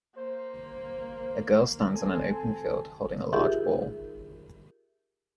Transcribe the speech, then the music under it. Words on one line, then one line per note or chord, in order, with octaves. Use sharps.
A girl stands on an open field holding a large ball.
A#3 C5
C4 A4 G#5
D#4 F4 G4 G#4 A#4 E5